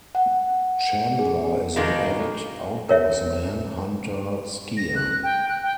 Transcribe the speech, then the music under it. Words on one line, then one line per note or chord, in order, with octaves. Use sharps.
Chandler is an avid outdoorsman, hunter, skier.
F#5
G#4
B2 D#3 G#3 A#3 D#4
A#4 C#5 E5
A#6
F#6
G5
F#6
G5